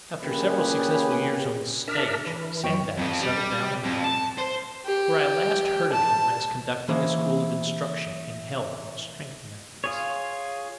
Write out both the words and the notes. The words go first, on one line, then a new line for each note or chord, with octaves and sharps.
After several successful years on the stage, Sandow settled down in London, where I last heard of him as conducting a school of instruction in health and strength methods.
A#3 C#4 F4 G4 G#4 B4
D4 A#4 E5
E3
F#2 C#5 G5
F2
G3
F2
A5
C5
G4
A5
E3 A#3 C#4 E4 G#4 C5
F4 G#4 C#5